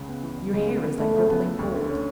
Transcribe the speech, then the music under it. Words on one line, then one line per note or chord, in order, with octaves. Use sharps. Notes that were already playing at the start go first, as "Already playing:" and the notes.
Your hair is like rippling gold.
Already playing: C#2 C#3
B3
E3
C#2
C#3 G#3
B3
E3
C#2 A3
C#3
B3
A3
D2
D3
C#4